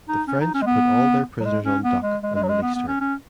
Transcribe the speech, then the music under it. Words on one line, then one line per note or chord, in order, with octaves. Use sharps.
The French put all their prisoners on "Duck" and released her.
D#4
C#4
D#4
C#4
G#3
B3
F#3
G#3
C#4
B3
G#3
G#3
G#3
F#3
G#3
B3
B3
C#4
C#4